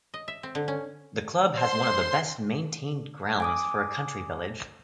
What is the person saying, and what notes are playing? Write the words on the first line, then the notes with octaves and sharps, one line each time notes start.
The club has one of the best maintained grounds for a country village.
D#5
E5
C4
D3
C#4
C5 C6
G#5 D6 D#6